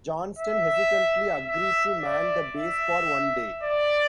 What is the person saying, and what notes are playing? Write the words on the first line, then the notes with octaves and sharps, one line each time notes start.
Johnston hesitantly agreed to man the base for one day.
E5
E5
D5
E5
D5